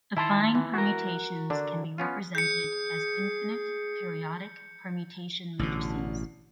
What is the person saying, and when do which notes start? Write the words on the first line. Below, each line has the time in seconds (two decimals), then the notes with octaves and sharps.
Affine permutations can be represented as infinite periodic permutation matrices.
0.17 D#3 E4 A5 C6
0.55 E3
0.74 F#4 A#4
1.50 D3 D4
1.98 B3 C#4 F4
2.35 G#4 G6 C#7
5.59 A1 B2 D3